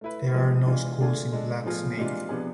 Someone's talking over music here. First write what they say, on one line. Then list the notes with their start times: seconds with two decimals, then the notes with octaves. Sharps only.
There are no schools in Black Snake.
0.01 A3 E4 B4
0.34 F3 G#3 B3
0.67 E3 G#3 D4 F4
0.99 D3 A3 D4 F4 G#4
1.32 G#3 D4 A4
1.64 A2 F3 B3 F4 G#4
1.97 C3 E3 G#3 D4 F4
2.29 C3 F3 B3 D4 G#4